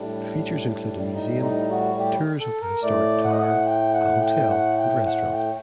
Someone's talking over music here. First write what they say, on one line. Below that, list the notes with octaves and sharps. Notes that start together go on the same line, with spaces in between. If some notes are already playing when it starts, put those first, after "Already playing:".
Features includes a museum, tours of the historic tower, a hotel and restaurant.
Already playing: A2 G3 D4
D#4
D#4
F#4
G4
A4
A#4
A2 A3 D5
F#5
D#5
F#5
G5
F#5
G5
F#5
G5
F#5
G5